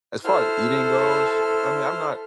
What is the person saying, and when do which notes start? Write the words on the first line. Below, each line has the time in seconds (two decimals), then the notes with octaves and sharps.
As far as eating goes, I mean, I'm not
0.24 E4 A4 C5 F6